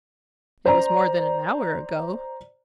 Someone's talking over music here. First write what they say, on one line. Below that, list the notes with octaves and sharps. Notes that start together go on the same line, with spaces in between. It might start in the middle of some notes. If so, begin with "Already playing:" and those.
It was more than an hour ago.
C5 D5 A#5